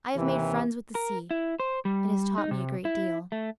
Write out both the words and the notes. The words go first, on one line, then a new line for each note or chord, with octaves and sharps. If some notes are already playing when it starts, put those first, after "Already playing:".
I have made friends with the sea; it has taught me a great deal.
D#2 C3 E3
A#4
E4
C5
G3
D#4
C3
E4
A3